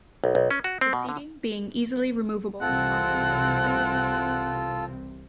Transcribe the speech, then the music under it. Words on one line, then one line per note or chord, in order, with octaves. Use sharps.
The seating being easily removable to offer load space.
B1
B1
C#4
F#4
C4
B2
D3
C2 C3 E3 C4 F4 A4 F#5